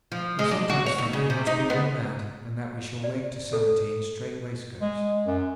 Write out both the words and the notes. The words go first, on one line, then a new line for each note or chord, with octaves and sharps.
I sometimes think we must be all mad and that we shall wake to sanity in strait-waistcoats.
F3
G#3
D4
F#4
C#5
D#2
C#3
C3
D#4
B3
D5
A4
G#3
F#2